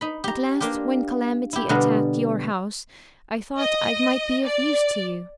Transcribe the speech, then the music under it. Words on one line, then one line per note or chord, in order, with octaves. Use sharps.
At last, when calamity attacked your house, I thought I might be of use to you.
D#4 B5
G4 A#5
A#3 D4 F4 G4
E4 G4
B2 D3 G3 D4 F5 A#5
D#5
D5